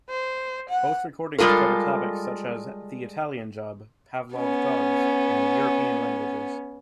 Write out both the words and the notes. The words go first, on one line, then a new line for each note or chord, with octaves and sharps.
Both recordings cover topics such as "The Italian Job", Pavlov's dogs and European languages.
C5
F#5
G3 G#3 F4 A4 A#4
B3 C#4